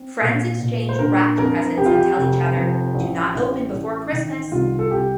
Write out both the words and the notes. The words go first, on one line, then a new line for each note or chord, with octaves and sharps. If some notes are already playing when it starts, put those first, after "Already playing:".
Friends exchange wrapped presents and tell each other, Do not open before Christmas!
Already playing: C4
A#2
A#2
C5
D3 A#4
F2 A#4
F2 G4
F4
G4
F1
F3
A1
A1
A1
D#3
C2 F4
A4
C2 G4